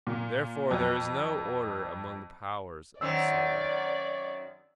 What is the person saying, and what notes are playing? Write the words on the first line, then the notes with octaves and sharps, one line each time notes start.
Therefore there is no order among the powers of the soul.
A#2
F2
F#2 D#3 C4 C#5 D5 E6